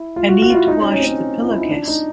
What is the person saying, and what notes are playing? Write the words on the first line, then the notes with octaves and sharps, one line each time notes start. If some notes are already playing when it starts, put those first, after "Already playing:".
I need to wash the pillow case.
Already playing: E4
F4
F#4
F#4
F4
E4
D#4
C#4
C#4
C4
C#4
F4
E4
D#4
D4
D#4